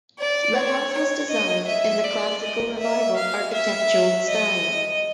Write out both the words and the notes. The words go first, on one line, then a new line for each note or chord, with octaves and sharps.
The house was designed in the Classical Revival architectural style.
D5
C#5
C#5
D#5
E5
D5
D#5
E5
F5
E5
D#5